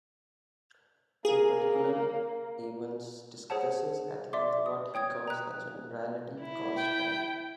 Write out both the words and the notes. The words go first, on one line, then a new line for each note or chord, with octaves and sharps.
In particular, Evans discusses at length what he calls the "Generality Constraint".
A#3 G#4
G#4 C5 C#5 F#5 A5
D5 E5 C6 D6
D#6
C#5 G5 D#6 G#6
A#5 F#6
E4
G5